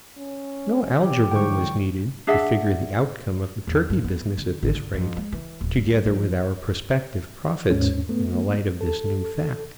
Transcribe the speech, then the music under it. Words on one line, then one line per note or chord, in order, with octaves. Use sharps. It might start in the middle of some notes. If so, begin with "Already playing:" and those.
No algebra was needed to figure the outcome of the turkey business at this rate, together with our prospective profits, in the light of this new fact.
C#4
E3 G4
A2 D3 G3 G5 C#6
D4 G#4 E5 F#5
E2
G2
B3
D3
G#1
D3
F2
G#3
E3
D1
G3
F3
D#2 G#2 C#4
A3 B3
A4